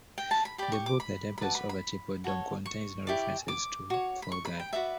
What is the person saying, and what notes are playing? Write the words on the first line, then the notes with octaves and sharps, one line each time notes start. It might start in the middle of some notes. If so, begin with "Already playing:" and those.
The book "The Tempest Over Teapot Dome" contains no references to "fall guy".
G5
A5
B5
G4 D5 B5
C#6
D6
B5
B5
F#4 B4 D5 A5
B5
B5
F#4 A4 C#5
C#6
E4 G4 D5
D6
F#4 C#5
B5
C#6
B5
G5
F#4 B4 D5 E5